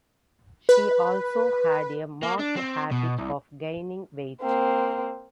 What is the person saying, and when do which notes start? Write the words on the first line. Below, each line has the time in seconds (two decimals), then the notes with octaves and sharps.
She also had a marked habit of gaining weight.
0.69 B4
2.23 A#3
2.40 D4
2.57 C4
2.92 B2
3.18 C2
4.41 A#3 C4